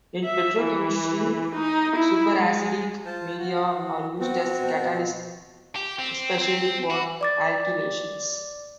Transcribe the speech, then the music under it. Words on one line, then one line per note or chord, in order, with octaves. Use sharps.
In petrochemistry, superacidic media are used as catalysts, especially for alkylations.
E5
E3
D#4
E4
G#3
F4 C5 A5
F#4
E3
B3 C4 F#4
B2
G4
C4
C4
F#4
D5 D6 A6